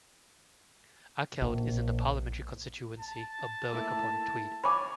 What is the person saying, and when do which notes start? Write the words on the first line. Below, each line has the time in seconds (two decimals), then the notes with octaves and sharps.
Akeld is in the parliamentary constituency of Berwick-upon-Tweed.
1.42 A#1
2.99 A5
3.73 A3 A#3 E4
4.64 C#5 G#5 B5 C#6 D6